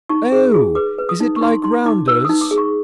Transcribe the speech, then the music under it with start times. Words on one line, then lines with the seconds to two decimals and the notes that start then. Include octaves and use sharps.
"Oh, is it like rounders?"
0.09 D#4 C#6
0.32 G#4
0.54 G#4
0.75 B4 D6
0.98 B4
1.09 D#6
1.20 D#4
1.36 C#6
1.41 D#4 C6
1.64 D#4 C6
1.86 D#4 D6
2.08 B4 E6
2.25 D#4 D#6
2.41 D6
2.51 G#4
2.58 C#6